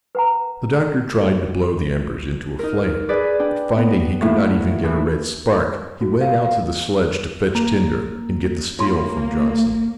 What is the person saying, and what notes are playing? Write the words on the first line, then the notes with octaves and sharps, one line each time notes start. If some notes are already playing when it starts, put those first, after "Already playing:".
The Doctor tried to blow the embers into a flame, but finding he could not even get a red spark, he went out to the sledge to fetch tinder, and get the steel from Johnson.
B4 F#5 A#5
D#4 A#4
G#4 B4 D5
D4 G5
B3
A2 F#3 A3 A#3 E4
A2 E3
F#4
F5
F5
A#3 A#5
A#3 F4 C#5 C6